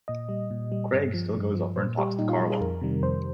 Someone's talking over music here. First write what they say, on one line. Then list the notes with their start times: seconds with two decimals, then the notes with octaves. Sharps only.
Craig still goes over and talks to Karla.
0.08 A#2 D#5
0.29 G3
0.51 A#2
0.72 G3
0.93 G2
1.14 F3
1.35 G2
1.55 F3
1.76 A#2 C5
1.98 G3 G4
2.19 A#2 D#4
2.29 F4
2.40 G3
2.50 G#4
2.60 F2 A#4
2.81 C3 D#3 G3
3.02 F2 C5